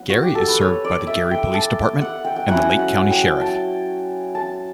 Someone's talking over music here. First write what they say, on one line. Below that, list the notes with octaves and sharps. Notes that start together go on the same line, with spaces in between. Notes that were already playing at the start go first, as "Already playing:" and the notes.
Gary is served by the Gary Police Department and the Lake County Sheriff.
Already playing: F#3 B3 E4 F#5
F#4
G4
A4
B4
C#5
D5
E5
G5
A5
F#5
G5
G5
F#3 C#4 E4 F#5
F#5
G5
A5
A5